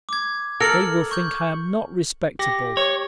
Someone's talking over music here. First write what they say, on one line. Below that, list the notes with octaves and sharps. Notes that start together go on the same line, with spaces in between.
They will think I am not respectable.
D6 G#6
A4 A#4 F6 C#7 F#7
C#6 G6
G4 A#6
C#5